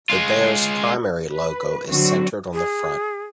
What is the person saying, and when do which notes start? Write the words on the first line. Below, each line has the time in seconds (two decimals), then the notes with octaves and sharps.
The Bears' primary logo is centered on the front.
0.10 G#3 F4
1.32 B4
1.87 D3 F#3 C4 F#4
2.54 G#4